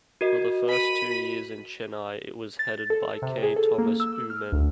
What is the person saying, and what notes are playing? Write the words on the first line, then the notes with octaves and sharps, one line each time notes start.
For the first two years in Chennai it was headed by K Thomas Oommen.
F#4 A#4 D#5
B5 D#7
A6
A4
C3
G#4
A4
A#3
E6
F6
D2